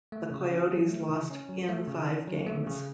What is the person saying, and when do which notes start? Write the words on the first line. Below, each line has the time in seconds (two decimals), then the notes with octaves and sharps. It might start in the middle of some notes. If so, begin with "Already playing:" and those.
The Coyotes lost in five games.
0.12 A3
0.31 C#3
0.51 C#4
0.71 F#3
0.90 A3
1.10 C#3
1.30 C#4
1.49 F#3
1.69 A3
1.88 C#3
2.07 C#4
2.27 F#3
2.47 A3
2.67 C#3